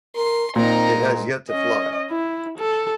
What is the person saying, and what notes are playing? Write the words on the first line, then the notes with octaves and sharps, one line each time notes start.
It has yet to fly.
A#4 C6
A#2 C4 D#4 A#4
G#2
C#4 D#5
E4
A4